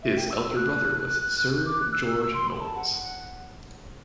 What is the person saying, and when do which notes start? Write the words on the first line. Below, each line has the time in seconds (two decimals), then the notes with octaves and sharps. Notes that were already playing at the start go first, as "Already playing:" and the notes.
His elder brother was Sir George Knowles.
0.02 E5
0.17 G5
0.30 E6
0.44 E6
0.56 F#6
1.65 D6
1.80 F#6
1.92 E6
2.07 E6
2.20 E6
2.33 C6
2.47 B5
2.60 A5
2.75 F#5